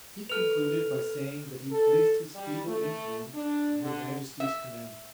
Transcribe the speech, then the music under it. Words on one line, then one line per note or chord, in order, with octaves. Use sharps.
He concluded by saying that he placed his feeble influence at her majesty's command.
A4 B4 F6 F7
A4
G3
A3
D4
D3
E5